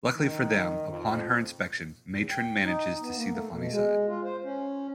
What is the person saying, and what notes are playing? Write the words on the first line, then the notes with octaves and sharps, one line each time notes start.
Luckily for them, upon her inspection, Matron manages to see the funny side.
D#3
F2
E2
G5
D#4
B3
A#3
A3
B2
G#3
F4
C5
C#4